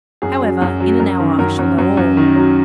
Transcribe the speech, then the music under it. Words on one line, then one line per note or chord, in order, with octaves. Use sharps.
However, in an hour I shall know all.
F#2 G#4
F#3
F#2
F#3
F#2 A#4
D#3
F#2 A#4
F#2
F#2
F#2
D#3
F#3